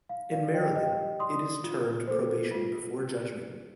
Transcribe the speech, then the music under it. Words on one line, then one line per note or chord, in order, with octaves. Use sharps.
In Maryland, it is termed probation before judgment.
F5
D5 F5
D#5 G5
G4 D#5 G5
D5 C6 D#6
F4
A4 C5
F4